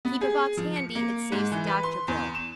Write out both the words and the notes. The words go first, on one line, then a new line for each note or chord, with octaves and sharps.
Keep a box handy, it saves the doctor bill.
B3
G#4
F3
C#7
A#3
G#2
E3
B4
C6
E2
E7